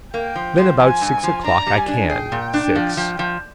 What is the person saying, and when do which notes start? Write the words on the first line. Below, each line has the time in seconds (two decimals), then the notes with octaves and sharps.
Then about six o'clock I can. Six.
0.14 A#3 G5
0.36 F3
0.58 F3
0.79 F3 G#5
1.01 G2
1.23 F3
1.44 D4 A#5
1.66 G3
1.77 G#5
1.88 D4
2.10 G#4 G5
2.32 A#2
2.54 D4
2.75 F3
2.97 F3
3.19 F3